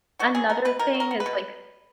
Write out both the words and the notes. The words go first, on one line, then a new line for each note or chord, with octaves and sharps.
Another thing is like
B2 F#4
F#3 G#4
B3 A#4
B2 B4
B2 A#4
F#3
A#4
B3
B4
B2